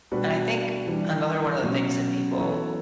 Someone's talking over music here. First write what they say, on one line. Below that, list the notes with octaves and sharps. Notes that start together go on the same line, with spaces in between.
And I think another one of the things that people
B2 G3 D4 F#4 B4
E3 G3 D4
B2 F#3 C#4
E3 B3 F#4 A4 C#5